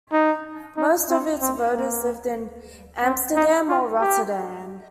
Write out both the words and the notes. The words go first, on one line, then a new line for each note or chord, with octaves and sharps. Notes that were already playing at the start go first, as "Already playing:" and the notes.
Most of its voters lived in Amsterdam or Rotterdam.
D#4
D#4
C4
C4
A#3
C4
D#4
F4
G4